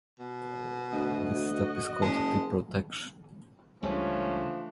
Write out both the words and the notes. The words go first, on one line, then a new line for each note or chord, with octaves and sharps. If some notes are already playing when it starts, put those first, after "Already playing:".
This step is called deprotection.
B2
D2 F#4 D#5
F#1 G#3 A5
C#2 C#3 E3 F3 G3 A3 C#4 D4